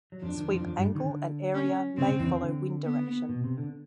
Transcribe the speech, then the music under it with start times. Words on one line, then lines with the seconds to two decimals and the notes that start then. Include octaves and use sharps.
Sweep angle and area may follow wind direction.
0.12 F#3
0.22 F2 F3 D4
0.37 D#3
0.51 F2 F3
0.66 F2 F3
0.76 G2 G3
0.95 D#3
0.98 D3
1.54 C#4
1.97 C#3 C4
2.08 C#3
2.19 E2 E3
2.42 D3
2.85 B3
3.29 B2
3.44 C3
3.58 D3